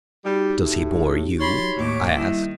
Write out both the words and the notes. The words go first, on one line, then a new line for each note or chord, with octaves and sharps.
"Does he bore you?" I asked.
G3 D#4 F#4 G4
A2
C#5 B5 C6 A6
D#2 A2 D6
D#3 G3 E4 E5